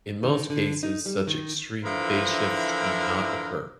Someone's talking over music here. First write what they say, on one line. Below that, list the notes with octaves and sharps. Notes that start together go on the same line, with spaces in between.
In most cases such extreme phase shifts do not occur.
D#3
D3
D#4
G3
D#3
D3 E3 F3 E4 A#4